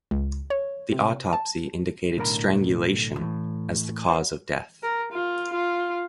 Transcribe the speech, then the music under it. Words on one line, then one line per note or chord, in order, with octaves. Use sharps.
The autopsy indicated strangulation as the cause of death.
C#2
C#5
C3
A5
B1 A2 D3 A#4 A#5 B5
A2 E3
C5 F#5 G#5
A#4
F4
F4